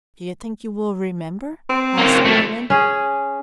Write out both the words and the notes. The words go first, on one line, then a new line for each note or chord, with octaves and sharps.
"Do you think you will remember?" asked Briggerland.
C4
A#3 C#4
F3 A3
C#4 G#4